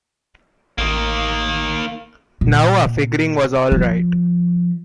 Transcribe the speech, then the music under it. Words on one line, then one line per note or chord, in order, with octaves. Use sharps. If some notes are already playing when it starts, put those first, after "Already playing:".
Now our figuring was all right.
A1 D#3 A#3
A#2
F3